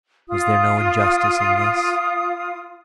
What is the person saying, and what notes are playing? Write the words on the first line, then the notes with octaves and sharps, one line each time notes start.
Was there no injustice in this?
F4 D#6